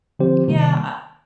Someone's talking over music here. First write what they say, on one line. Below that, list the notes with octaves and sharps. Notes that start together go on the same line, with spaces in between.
Yeah I
D3 F3 C4 G4 C5
C3 D#3 G3 A#3